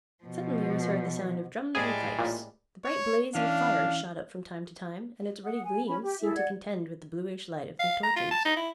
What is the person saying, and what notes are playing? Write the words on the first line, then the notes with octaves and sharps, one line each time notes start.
Suddenly was heard the sound of drums and fifes; the bright blaze of a fire shot up from time to time, and its ruddy gleams seemed to contend with the bluish light of the torches.
B2 F3
A2 G3 G#3 G#4
A1 A#2
C#5
E3 C#4 D4 F5
F#5 D#6
G#5
C#4 B5
G4
E4 G#4 A4 E5
D5 F#5 G#6
F5
A#5
F4
A5
D#4
E4